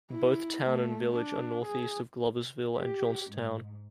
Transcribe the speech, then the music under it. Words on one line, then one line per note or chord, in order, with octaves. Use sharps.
Both town and village are northeast of Gloversville and Johnstown.
E4
A3
D4
G#4
G4
G#2